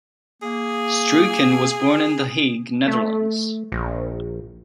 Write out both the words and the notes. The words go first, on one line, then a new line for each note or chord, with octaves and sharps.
Struycken was born in The Hague, Netherlands.
A#3 G#4
A3
A#1